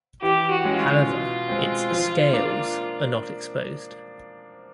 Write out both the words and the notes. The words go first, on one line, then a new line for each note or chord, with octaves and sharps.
However, its "scales" are not exposed.
E3 G4
F#4
G#3 C#4
F4
B2
G#3 C4
F3
A#3 D4